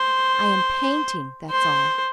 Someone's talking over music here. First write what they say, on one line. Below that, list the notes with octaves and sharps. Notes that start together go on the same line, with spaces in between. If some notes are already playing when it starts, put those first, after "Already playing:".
I am painting; that's all.'
Already playing: C5
C5